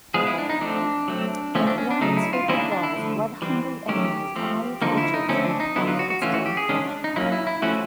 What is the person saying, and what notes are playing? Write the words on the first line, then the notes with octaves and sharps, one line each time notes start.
And beyond its fabled walls blood-hungry enemies eye its riches and plot its downfall.
F3 G#3 B3 G#4
E4
D4
D#4
F3 A3 C4 D4
F#3 A3 C4
F3 A3 C4 C#4
D4
C#4
D4
C#3 F#3 A3 D#4
E4
F4
D#3 G3 A#3 C#4 E4
D4
D4
E4
D3 F3 A3
E3 G3 C4
D#3 F#3 A3 C#4 G4
F3 A3 C4
D3 F3 A#3 D#4
E4
D#4
D3 F3 A3 C4 C#4
D4
D#4
D3 F#3 B3 E4
F4
F#4
F#4
E3 A3 C#4 F4
F#4
G4
G#4
D#3 G#3 C#4 D4
D4
D#4
F#3 A#3 C#4 E4
E4
E4
F3 A3 C#4 F#4